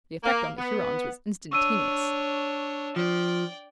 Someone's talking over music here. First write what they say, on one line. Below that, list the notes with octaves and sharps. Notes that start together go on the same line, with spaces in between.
The effect on the Hurons was instantaneous.
A#3
B3
D4 C#5 C#6 E6 D#7
F3 D5 G5